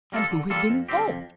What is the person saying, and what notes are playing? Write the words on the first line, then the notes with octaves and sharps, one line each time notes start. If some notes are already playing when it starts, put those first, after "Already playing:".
And who had been involved?
G3 A#3 F4 A4
D3
G3 A#3 F4 A4
F2
D3 G3 C4 G4
F2